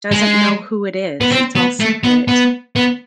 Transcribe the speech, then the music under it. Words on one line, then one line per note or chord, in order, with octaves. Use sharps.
doesn't know who it is, it's all secret,
G#3
B3
C4
B3
A3
B3
B3
B3